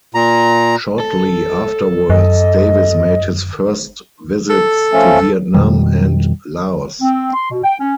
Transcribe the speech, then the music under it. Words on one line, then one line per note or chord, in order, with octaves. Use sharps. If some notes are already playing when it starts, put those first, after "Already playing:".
Shortly afterwards Davis made his first visits to Vietnam and Laos.
A#2 A#5
A4
F#2 D#5
A4
F3 A3 C#4
F2 B2 D#3 G3
C4
C6
B2
G5
C#4